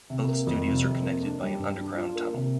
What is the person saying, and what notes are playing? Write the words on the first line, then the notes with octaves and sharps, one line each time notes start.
Both studios are connected by an underground tunnel.
C3
A#3
F2
C3
F2
A#3
D4
G3
G2
D4
F4
A#3
C3